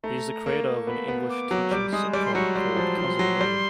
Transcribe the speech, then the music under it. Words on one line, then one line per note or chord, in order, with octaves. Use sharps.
He is the creator of an English teaching sitcom called "Cousin William".
A3 A#5
A#3
B3 B5
B3
D6
F#3
G3 D6
G#3 D#6
G3 D6
C6
F#3 C#6
G3 C6
F3
F3
F#3
G3